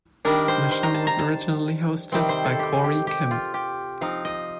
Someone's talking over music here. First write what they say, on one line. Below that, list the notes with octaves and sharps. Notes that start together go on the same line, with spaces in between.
The show was originally hosted by Cory Kimm.
D#3 G3 D4 A#4
C5
C5
A#5
A5
A#5
A5
C3 D#3 G3 C4 G5
C5
A4
G4
G4
G4
F4
G4
F3 C4 D#4 F5
D#5